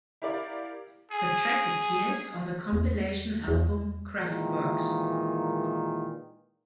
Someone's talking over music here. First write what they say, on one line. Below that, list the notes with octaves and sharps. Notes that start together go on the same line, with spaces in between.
The track appears on the compilation album "Kraftworks".
E4 G4 A#4 D5 F5
G#4 G#5
E2
E2
A#2 D#3 E3 G#3